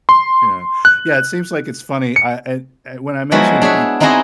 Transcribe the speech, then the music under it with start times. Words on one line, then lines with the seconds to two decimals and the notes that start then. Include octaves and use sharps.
Yeah. Yeah, it seems like it's funny. I I when I mentioned you
0.09 C6
0.85 F#6
2.16 C#7
3.32 F3 F#3 G#3 B3 E4 F#4
3.61 D4 G#4 C#5 E5
4.00 C4 D#4 E4 F#4 G#4 D#5